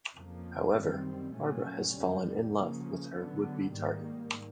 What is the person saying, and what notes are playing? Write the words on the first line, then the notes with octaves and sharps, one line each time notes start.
However, Barbara has fallen in love with her would-be target.
F2 C#3 F3 A#3
F#2 D#3 G3 C4
A#2 F#3 A3 C#4
F2 D3 G3
C#3 F3 A#3 C#4
D3 F#3 B3
G#2 D#3 G3 A#3